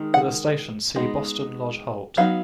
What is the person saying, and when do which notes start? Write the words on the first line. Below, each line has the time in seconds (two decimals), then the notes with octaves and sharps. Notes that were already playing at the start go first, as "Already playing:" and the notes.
For the station see Boston Lodge Halt.
Already playing: D#3 G#3 D#4
0.14 F#5
0.96 G#3 B3 D#4
2.17 F#3 B3 D#4 F5